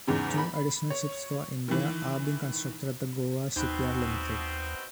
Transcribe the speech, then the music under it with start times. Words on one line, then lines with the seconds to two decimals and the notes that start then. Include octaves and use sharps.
Two additional ships for India are being constructed at the Goa Shipyard Limited.
0.07 E2 G#2 C#3
0.38 B5
0.90 C#5
1.68 D#3 E3
3.56 D#2 B2 C4 D#4 B5 F#6